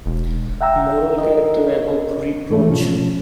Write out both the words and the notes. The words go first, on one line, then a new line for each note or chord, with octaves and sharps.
Moral character above reproach.
E1
E5 F#5 G5 A#5 E6
A#4 D#5
G#2 E3 A3
B2 F3 C#4